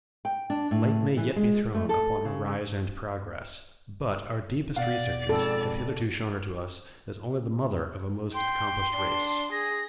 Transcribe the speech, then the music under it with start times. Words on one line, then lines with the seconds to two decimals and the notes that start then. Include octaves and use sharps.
Light may yet be thrown upon her rise and progress, but our deepest researches have hitherto shown her to us as only the mother of a most accomplished race.
0.25 G5
0.50 D4
0.71 A2
1.17 E3
1.36 G#3
1.74 A3
1.89 A4
2.25 C#3
4.76 B2 D5 F5 F#5
5.29 F2 G#2 A4
8.35 G5 C6
8.94 D4
9.52 G#4 A#6